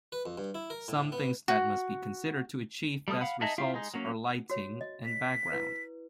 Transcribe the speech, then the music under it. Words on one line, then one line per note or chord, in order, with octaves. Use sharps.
Some things that must be considered to achieve best results are lighting and background.
B4
F2
G2
E4
A#4
A2
B3
F#4
G3 A3 A4 D#6 F6
F5 F#5 B5
D#4 G#4 D#5 E5 A5
E4 F4 G4 E5 F5
G#3 D#4
F#3 A#3 C#4
F#4 C#5
D#5
B6
E4 B4